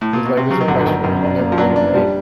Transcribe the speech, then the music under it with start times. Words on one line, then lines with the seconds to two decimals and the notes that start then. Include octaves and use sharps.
It's like there's a price for each and every little thing.
0.01 A2
0.13 A#2
0.25 B2
0.37 C3
0.50 C#3 F#3
0.61 D#3
0.68 G1 D3
0.79 D3
0.86 G1 D#3
1.04 F#2 D#3
1.23 D#3 D4
1.40 A#3
1.52 F3
1.58 F#3 D4
1.70 F3
1.76 D4
1.82 E3
1.94 F3 G3